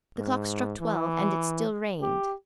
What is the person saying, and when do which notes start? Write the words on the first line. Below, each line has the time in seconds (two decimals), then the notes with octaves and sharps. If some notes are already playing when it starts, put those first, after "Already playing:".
The clock struck twelve, and it still rained.
0.17 G#2
0.80 E3
2.02 G4